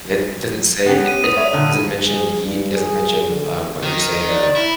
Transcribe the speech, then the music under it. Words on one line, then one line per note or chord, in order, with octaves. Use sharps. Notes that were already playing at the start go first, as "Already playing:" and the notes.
And it doesn't say it it doesn't mention heat. It doesn't mention, um, what you were saying, uh
B3 C#4 G4
D#7
B4 D#6
C#5 D5 E5
G2 A#2 D3
G#4
G2
G#4
D3
D#3
D5
E4